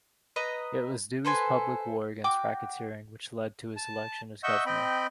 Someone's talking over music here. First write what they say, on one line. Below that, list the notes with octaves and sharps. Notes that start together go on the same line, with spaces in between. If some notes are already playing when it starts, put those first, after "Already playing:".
It was Dewey's public war against racketeering which led to his election as governor.
B4 D#5 A#5
A4 B4 C5 G#5
F#4 G5 D6
A5
D#5 E5 F#5 C#6 E6 G6
C4 D#5 G5 B5